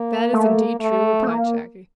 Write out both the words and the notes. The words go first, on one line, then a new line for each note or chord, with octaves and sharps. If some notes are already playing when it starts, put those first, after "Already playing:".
"That is indeed true," replied Shaggy.
Already playing: A#3
A3
A3
C4
A#3